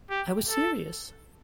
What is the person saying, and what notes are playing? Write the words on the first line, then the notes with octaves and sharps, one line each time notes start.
I was serious.
G4
A4